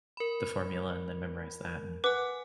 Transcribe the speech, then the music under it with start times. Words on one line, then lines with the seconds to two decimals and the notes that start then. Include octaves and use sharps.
the formula and then memorize that, and
0.17 A#4 B5
2.04 B4 F#5 G#5 D6